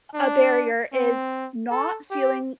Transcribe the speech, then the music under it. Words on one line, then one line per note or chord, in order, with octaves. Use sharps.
a barrier is not feeling
D4
C4
A4
G4